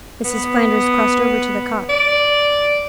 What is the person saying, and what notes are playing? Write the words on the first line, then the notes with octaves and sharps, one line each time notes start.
Mrs. Flanders crossed over to the cot.
B3
D5